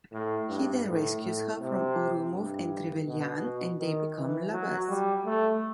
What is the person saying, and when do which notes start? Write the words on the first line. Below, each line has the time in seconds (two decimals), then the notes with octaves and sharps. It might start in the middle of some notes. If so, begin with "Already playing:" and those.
He then rescues her from Ourumov and Trevelyan, and they become lovers.
0.13 A2
0.49 G2
0.87 A2
1.23 A2
1.60 C3
2.33 G2
3.06 B2
3.79 D#3
4.17 E3
4.52 F#3
4.89 G3
5.25 A3